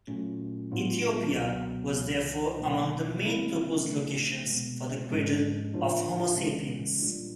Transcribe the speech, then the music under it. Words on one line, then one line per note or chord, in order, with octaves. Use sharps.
Ethiopia was therefore among the main proposed locations for the cradle of "Homo sapiens".
A#2 F#3 A3 C#4 F4
A2 F#3 B3 D4 F4
C#2 B2 F#3 B3
C#2 C3 E3
B2 F#3 A#3 D#4
C3 D#3 G3 C4 E4
C#3 F3 A3 D4
B2 G#3 B3
G#2 F3 G#3 C#4
A2 F3 A#3 D4 F4
C#3 E3 G#3 C#4
A#2 G3 A#3 D4 F4